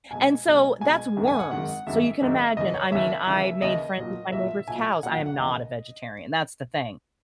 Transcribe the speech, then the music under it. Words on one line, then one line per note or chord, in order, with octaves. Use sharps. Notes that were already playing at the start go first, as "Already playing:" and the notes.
and so that's worms, so you can imagine I mean, I made friends with my neighbor's cows I am not a vegetarian, that's the thing.
B1 B2 G#3 G#5
B1 B2 G#3
B1 B2 G#3 G#5
G#1 F#2 D#3 G#3
G#5
F#5
G#1 F#2 D#3 G#3 F#5
G#1 F#2 D#3 G#3 E5
G#1 F#2 D#3 G#3
D#2 C#3 E3 D#5
C#5
D#2 C#3 E3 E5
D#2 C#3 E3
D#2 C#3 E3 D#5
B1 A#2 F#3
B1 A#2 F#3 E5
B1 A#2 F#3 G#5
B1 A#2 F#3 F#5
F#5
F#5
D#2 C#3 E3 D#5